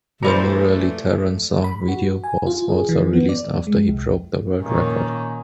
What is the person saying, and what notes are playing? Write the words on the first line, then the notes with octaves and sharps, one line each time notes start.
The Muralitharan Song video was also released after he broke the world record.
A#2 E3 A3 F#4 C5 D5 A#5 B5
B5
F#4
G#5
F4
G#4
E3
B3
D5
G#3
C2
A#2 D#3 A#3 C#4